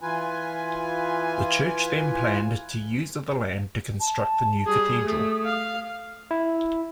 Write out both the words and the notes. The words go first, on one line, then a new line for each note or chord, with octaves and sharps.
The Church then planned to use of the land to construct the new cathedral.
E3 F4 B4 G#5
A5
G3 G#4 D#6
A3
F5
E4